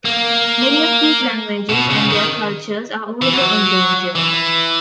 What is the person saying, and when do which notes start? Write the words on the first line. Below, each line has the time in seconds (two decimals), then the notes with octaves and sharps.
Many of these languages and their cultures are also endangered.
0.05 A#3
1.69 B2
1.90 C#3
2.10 D#3
3.22 E3
3.33 F#3
4.16 E3